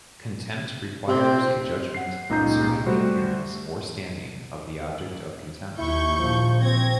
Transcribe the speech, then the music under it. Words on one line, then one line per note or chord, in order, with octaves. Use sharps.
Contempt requires a judgment concerning the appearance or standing of the object of contempt.
C3 C4
F#5 C7
C#2 A#2 D#4 A#5 G6 C7
G3 A3 F#4 C5
D#2 E4 C#6 G6
A#1 F3
C4 G#6 A#6